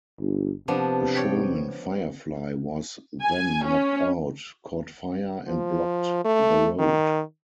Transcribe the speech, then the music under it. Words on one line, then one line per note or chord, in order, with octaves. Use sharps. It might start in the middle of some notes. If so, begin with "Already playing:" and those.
A Sherman Firefly was then knocked out, caught fire and blocked the road.
G1
C3 F3 B3 D4
C#5 D5 G5
G#5
C#4
F3
A3
D#3